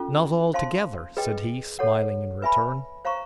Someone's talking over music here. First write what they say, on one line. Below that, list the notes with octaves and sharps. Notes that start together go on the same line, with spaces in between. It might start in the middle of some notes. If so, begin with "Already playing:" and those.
'Not altogether,' said he, smiling in return.
Already playing: C#4 F4 A4
C5 F5 A5 C6
G#4 B4 D#5 G5
A4 C#5 F#5
B4 E5 G#5 B5
C5 F5 A#5 C#6